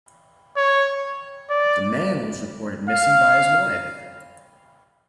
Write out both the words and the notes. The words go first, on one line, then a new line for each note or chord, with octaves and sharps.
The man was reported missing by his wife.
C#5
D5
F5